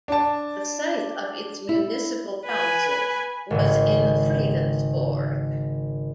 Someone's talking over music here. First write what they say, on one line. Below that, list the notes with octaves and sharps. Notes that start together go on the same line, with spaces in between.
The site of its municipal council was in Fredensborg.
D4 A5
E4
B4 G#5
G#1 C#3